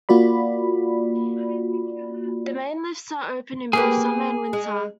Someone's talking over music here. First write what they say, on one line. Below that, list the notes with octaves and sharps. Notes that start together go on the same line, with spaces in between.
The main lifts are open in both summer and winter.
A#3 F4 F#4 D5 B5
A#3 G4 G#4 B4
G#3